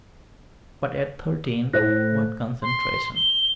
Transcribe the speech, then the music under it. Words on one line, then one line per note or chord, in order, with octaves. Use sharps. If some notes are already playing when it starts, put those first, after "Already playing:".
But at thirteen--what concentration!
A2 C5 F#6 A#6
C6
G7